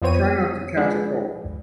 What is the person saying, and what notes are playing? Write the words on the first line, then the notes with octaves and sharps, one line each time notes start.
Try not to catch a cold.
F2 F3 B3 C4 C#5 D#7
F3 G#3 D4 G#4 B4